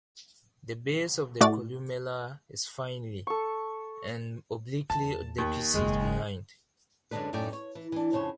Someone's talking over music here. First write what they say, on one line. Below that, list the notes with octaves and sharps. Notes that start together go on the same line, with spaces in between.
The base of the columella is finely and obliquely decussate behind.
A2 F#4 D5 A6
A4 C#6
E2 A5
D#2
F#1 E2 G#3
F#2 D3 G#3 A3 D4 B4
F#2 A2 A3 D#4 D5 G5
C#5
E3
E3 D4
F2 C#3 C5 C#5